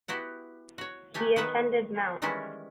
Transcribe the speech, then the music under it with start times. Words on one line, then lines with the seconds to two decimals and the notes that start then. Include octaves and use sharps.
He attended Mt.
0.08 B3 E4 F#4 G4
0.78 F#4 C#5
1.14 F#3 A3 G4 G#5
1.36 D#3 B3 B4 E5 F#5
2.22 D#3 E3 G3 G#3 C#4 E4